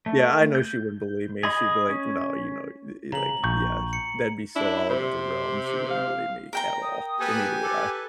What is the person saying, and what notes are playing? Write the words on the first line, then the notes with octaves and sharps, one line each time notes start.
Yeah, I know she wouldn't believe me, she'd be like, "No," you know, th i like i Yeah. That'd be so out of the realm, she wouldn't believe me at all, and neither would I.
A3
G6
G#4 D#5 B5
C#4
C#3 A#5 F#7
A#1 C#6 G6
C#7
D4 E4
C3 C5
F5
A#4 G5 A#5
D#6
A#3 G4 A4 B4 G#5
A4 B4 D6